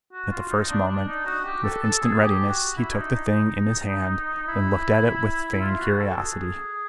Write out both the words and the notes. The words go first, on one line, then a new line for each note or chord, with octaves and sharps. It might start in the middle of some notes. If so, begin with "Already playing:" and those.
At the first moment, with instant readiness, he took the thing in his hand, and looked at it with feigned curiosity.
F#4
F4
D#4
D4
D4
D#4
F#4
G4
A4
A4
G#4
G4
F#4
E4
D4
D#4
D#4
E4
E4
F4
F#4
A4
G#4